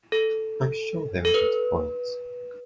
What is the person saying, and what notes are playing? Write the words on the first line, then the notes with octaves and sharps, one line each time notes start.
I'm sure they would get a point!
A4
A4
B4